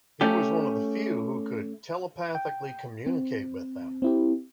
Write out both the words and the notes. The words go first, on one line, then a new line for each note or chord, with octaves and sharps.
He was one of the few who could telepathically communicate with them.
A3 C#4 G4
G5
C4
C4 E4 G4